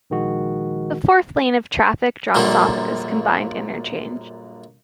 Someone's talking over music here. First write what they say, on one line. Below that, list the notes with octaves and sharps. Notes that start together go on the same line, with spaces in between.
The fourth lane of traffic drops off at this combined interchange.
A#1 D#3 G#3 F#4
A#1 F#2 A#2 D3 F3 G3